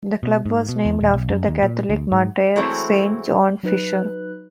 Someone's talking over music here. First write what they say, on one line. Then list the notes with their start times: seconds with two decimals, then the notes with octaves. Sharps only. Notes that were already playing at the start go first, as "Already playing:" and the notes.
The club was named after the Catholic martyr Saint John Fisher.
0.23 B2
0.46 G#2
0.69 B2
0.85 E2
1.01 D#1
1.14 B1
1.29 F#2
1.48 D#2
1.63 A#2
1.89 D2
2.12 G#2
2.56 E3 F#3 G#3 A3 C4 E4
3.63 F#3 D#4 B4 F#6